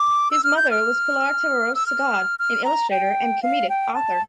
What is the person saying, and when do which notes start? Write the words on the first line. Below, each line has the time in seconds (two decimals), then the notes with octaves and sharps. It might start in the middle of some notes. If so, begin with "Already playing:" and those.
His mother was Pilar Terreros Segade, an illustrator and comedic author.
Already playing: D6
0.31 E6
0.44 F6
0.57 G6
0.71 F6
1.75 E6
1.86 F6
2.39 F6
2.64 A#5
2.90 G5
3.43 F5
3.69 G5
3.94 A5